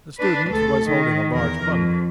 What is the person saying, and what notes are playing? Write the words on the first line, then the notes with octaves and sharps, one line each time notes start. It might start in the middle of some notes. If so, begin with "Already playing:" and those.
The student was holding a large bundle.
D4 B4
D2 A4
D#3
E2 A#4
F2